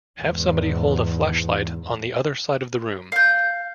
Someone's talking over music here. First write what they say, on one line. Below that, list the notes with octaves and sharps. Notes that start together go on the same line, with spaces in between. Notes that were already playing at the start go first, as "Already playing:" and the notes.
Have somebody hold a flashlight on the other side of the room.
E2 G#2
F5 G6